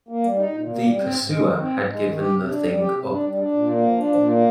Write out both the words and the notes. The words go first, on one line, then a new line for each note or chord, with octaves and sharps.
The pursuer had given the thing up.
A#3
G3
D#4
A#2
A#3
G3
C4
G#2
G#3
D#3
C4
G#2
G#3
D#3
G4
C3
D4
G3
G4
C3
D4
G3
D4
A#2
A#3
F3
D4
A#2
A#3